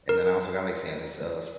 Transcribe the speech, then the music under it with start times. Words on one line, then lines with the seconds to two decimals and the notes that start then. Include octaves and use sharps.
and then I also got, like, family stuff
0.09 A#4